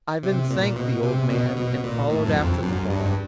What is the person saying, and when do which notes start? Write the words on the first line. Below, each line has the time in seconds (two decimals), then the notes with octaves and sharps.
Ivan thanked the old man, and followed after the ball.
0.23 C3
0.50 A#2
0.76 B2
1.03 C3
1.30 B2
1.57 B2
1.83 A#2
2.10 A2
2.26 F#2
2.37 F2
2.62 F#2
2.90 G2